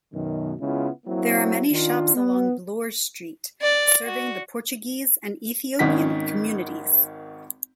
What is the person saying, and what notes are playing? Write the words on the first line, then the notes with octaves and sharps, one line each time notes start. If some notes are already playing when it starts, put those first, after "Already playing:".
There are many shops along Bloor Street serving the Portuguese and Ethiopian communities.
F#2 B2 D#3
C#3 G#3 B3 C#4 E4 F4
F#3 A#3 C4 E4
D#3 D4 F4
B3
D5
F#4
G#1 D#3 C#4 F#5 B6